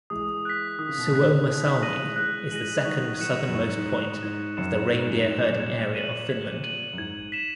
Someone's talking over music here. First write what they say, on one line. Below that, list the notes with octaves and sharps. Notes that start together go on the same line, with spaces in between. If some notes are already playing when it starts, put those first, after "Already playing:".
Suomussalmi is the second southernmost part of the reindeer-herding area in Finland.
E3 G#3 D#6
F#6 B6
D#3 D#6
C#3
B2
A#2 C#3
F#6 B6
B2 D#3 F#6
B2 D#3
C#3 E3 A#6 D#7 F#7
E3 G#3
E3 G#3 F#6
E3 G#3 A#6 D#7 F#7
D#3 F#3 C#6
D#3 F#3 F#6 C#7 E7
F#2
G#2 C#6
F#2
G#2
F#6 C#7 E7
G#2
G#2 G#6
F#2 C#7 E7
G#2 G#6
F#2
G#2
G#2 C#7 E7
F#2 A#2
G#6
D#7 F#7
G#6
D#7 F#7
F#2
G#2 G#6
B6 E7